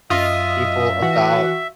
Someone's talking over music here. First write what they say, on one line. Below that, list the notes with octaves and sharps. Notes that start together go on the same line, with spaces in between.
people about
F#2 F4 D#5 E5
E3 F#4